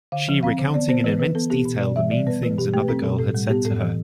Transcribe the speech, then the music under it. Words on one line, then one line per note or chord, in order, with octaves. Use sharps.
She recounting in immense detail the mean things another girl had said to her.
D3 F5
F3
C4 F5
D3
B3 D5
B3 C5
E3 B4
E3 B4
B3 A4
B3 G4
B2
B2 D5
E3 E5
G3 D5
B3 B4
E3 B4
B2 G4
A3 G4
B4
C4 A4
B2 A4
A2 A4
G3
B3 G4
A2 A4
E3